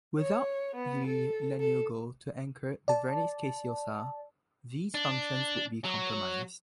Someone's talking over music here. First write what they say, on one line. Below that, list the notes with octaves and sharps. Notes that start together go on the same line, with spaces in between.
Without the lanugo to anchor the vernix caseosa, these functions would be compromised.
C#5
B3
A4
A4
D5 A5
D4
F#3